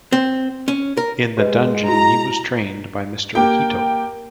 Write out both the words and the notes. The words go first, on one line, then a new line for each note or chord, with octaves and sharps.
In the Dungeon, he was trained by Mr. Hito.
C4
C#4
A#4
G#3 G4 B4 D#5
E4 F#4 A#5
A#3 G4 G5